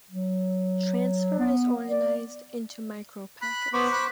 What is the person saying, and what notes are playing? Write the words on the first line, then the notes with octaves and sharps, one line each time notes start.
Transfer is organized into micropackets.
F#3
B3
D5
B5 F#6
B3 C5 B5 C#6 D6
B5 F#6